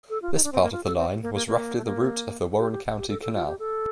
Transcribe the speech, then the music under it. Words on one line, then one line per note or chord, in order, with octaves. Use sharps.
This part of the line was roughly the route of the Warren County Canal.
A4
F4
D#4
D4
C4
A#3
F4
A4
C4
A#3
A#3
A#3
A3
A#3
G4
G4
G4
A4
A4
F4
G4
A4